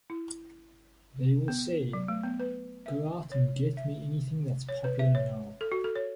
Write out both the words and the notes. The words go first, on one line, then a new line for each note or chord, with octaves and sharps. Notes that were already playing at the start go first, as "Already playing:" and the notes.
They will say, Go out and get me anything that's popular now.
E4
B3
F#3
A3
B3
B4
E5
C#5
E5
C#5
B4
E5
C#5
A4
F#4
A4
C#5